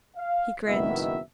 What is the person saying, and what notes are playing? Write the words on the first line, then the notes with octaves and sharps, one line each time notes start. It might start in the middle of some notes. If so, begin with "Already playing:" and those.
He grinned.
F5
F#1 B2 D#3 B3 E4 E5